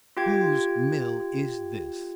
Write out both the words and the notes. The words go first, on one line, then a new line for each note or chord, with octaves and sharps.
"Whose mill is this?"
F4 G4 G5 G#6